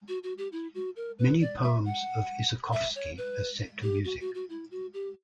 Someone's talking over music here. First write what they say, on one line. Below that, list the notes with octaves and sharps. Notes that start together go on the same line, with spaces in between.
Many poems of Isakovsky are set to music.
F#4
F#4
G4
E4
F#4
A#4
B4
D5
E5
F#5
E5
C#5
B4
G4
F#4
F#4
F#4
E4
F#4
G4